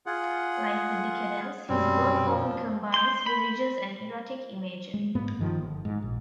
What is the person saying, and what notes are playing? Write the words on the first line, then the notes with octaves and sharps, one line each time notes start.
Like the Decadents, his work often combines religious and erotic imagery.
F4 G#4 F#5
F#2 B2 G3 C4 C#4
F3
C6 G6
B5
G#3
G#2 A#3 B3
G2 D#3 F3
G1
G#2
A#1